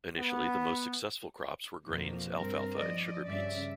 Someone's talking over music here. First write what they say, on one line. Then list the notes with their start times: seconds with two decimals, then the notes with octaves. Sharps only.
Initially, the most successful crops were grains, alfalfa and sugar beets.
0.18 B3
1.87 F2 B2 F3 A#3
2.38 G2 C4 A#4
2.75 F3 D5 D#5
3.27 G2 C#3 D5 E5